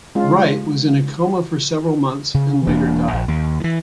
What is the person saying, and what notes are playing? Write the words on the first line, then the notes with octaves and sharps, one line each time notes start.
Wright was in a coma for several months and later died.
G#3 C#4 F4
C#3
E1 E3 A#3 D4
A#1
D#2
D#3 E3